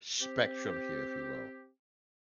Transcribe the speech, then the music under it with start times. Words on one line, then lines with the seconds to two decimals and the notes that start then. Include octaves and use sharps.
sh spectrum here, if you will,
0.21 C4 G4